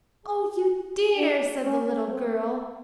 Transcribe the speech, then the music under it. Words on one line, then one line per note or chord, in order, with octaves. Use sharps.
"Oh, you dear!" said the little girl.
G#4
D4
C#4
C4